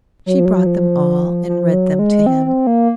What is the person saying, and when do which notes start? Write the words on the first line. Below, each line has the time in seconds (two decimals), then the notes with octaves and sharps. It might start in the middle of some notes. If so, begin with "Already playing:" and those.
She brought them all, and read them to him.
0.26 F#3
0.39 F3
0.45 F#3
0.66 F3
1.47 F3
1.73 F#3
1.99 G#3
2.26 C4
2.46 C4
2.67 A#3